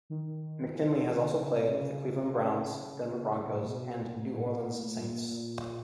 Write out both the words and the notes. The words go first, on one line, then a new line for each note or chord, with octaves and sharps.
McKinley has also played for the Cleveland Browns, Denver Broncos and New Orleans Saints.
D#3
E3
D#3
D3
C#3
C3
C#3
C#3
C3
A2
B2
A2
A#2
A2
A#2
A#2
A#2